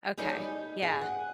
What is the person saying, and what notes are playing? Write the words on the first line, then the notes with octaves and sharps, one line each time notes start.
Okay. Yeah.
G3 D#4 E4 G#4 A4 C#5
D#4
G#4
F#5